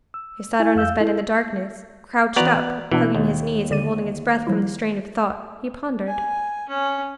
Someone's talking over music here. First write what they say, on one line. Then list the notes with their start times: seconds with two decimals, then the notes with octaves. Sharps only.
He sat on his bed in the darkness, crouched up, hugging his knees, and holding his breath from the strain of thought, he pondered.
0.14 E6
0.60 E4 G#5
0.76 F2 F5 E6 G6
0.97 E4 A4
2.36 E3 B3 E4 F#4 D5 A#5
2.91 B2 E3 B3 D4
3.15 D#2
3.71 D3 D5 D#7
4.47 F3 G3 E4
6.07 G#5
6.68 C#4